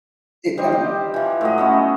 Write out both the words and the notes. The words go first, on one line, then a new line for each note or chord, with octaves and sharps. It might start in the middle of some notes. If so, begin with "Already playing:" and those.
it, um
G3 C5 D#5 G5
G4
E3 F3
A2 F#3 D#5
A3 B3 C#4